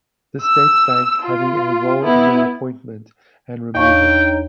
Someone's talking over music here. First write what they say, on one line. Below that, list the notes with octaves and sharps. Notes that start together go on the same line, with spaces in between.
The State Bank having a role in their appointment and removal.
E6
F4
B3 E4
E2 D4 D#4 C#5 F5 G5 A#5 C#6